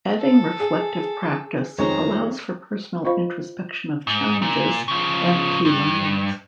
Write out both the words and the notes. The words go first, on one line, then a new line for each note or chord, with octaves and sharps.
Adding reflective practice, allows for personal introspection of challenges and key learnings.
A4
G#4
F2 D#3 G#3 C5 C#5 A#5
F4 C5 D#5 F5 B5 C#6
G#2
A#2
C#3 F3
G2